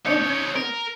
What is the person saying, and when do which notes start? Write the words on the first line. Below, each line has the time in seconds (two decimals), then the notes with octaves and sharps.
Oh, wow.
0.06 D#4 C#5
0.56 A#4